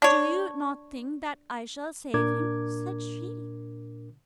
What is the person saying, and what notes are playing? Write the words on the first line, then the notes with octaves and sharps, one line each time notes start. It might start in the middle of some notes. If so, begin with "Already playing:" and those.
"Do you not think that I shall save him?" said she.
D4 C#5
A#2 D4 A#4 D6 G#6